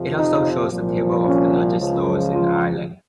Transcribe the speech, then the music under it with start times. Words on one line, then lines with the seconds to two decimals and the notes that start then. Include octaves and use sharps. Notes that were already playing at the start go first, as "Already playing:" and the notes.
It also shows a table of the largest loughs in Ireland.
Already playing: F2 C3 F3
0.16 D#4
0.70 C2 A#2 F3
1.24 C#4
1.78 C#2 C#3 F3
2.32 F4